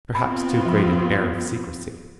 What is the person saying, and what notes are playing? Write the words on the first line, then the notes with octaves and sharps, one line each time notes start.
Perhaps too great an air of secrecy.
B3 C4 F4 B5
F3